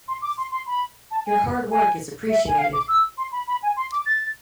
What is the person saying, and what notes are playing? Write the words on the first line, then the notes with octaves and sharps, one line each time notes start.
Your hard work is appreciated.
C6
D6
C6
C6
B5
A5
G#5
G#5
E5
G#5
F5
D6
E6
C6
B5
B5
G#5
C6
D6
A6